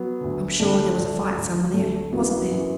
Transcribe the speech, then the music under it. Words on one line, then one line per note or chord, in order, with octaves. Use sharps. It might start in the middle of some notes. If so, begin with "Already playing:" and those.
I'm sure there was a fight somewhere, wasn't there?'
Already playing: F#3 B3
D2 D3
D2 D3 A3 D4
D2 D3
D2 D3
D2 D3 A3
F#2 E3 F#3 B3
F#2 E3